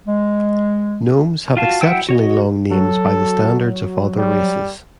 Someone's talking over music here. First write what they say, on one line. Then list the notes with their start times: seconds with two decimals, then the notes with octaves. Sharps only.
Gnomes have exceptionally long names by the standards of other races.
0.07 G#3
1.57 F4 F#4 F5 A5
1.81 F#3 E4 F#5 G5 E6
2.09 F#4 C#5 D#5
2.71 F#3 A4
4.18 G3